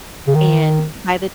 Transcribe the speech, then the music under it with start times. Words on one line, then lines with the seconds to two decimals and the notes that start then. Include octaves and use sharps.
and by the
0.28 C#3
0.35 D#3